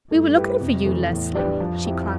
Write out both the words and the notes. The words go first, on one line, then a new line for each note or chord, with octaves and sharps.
"We were looking for you, Leslie," she cried.
G2 A3
E4 G4 B4
F2 C3
E3 A3
E2 A2
G3 D4 G4 B4
F2 F3
C4 E4 G4